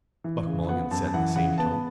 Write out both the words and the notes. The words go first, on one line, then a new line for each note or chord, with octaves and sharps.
Buck Mulligan said in the same tone.
E3
C#3
B3 F#5
F#2 A5
A5
E3 F#5
C#3 F#5
B3 A5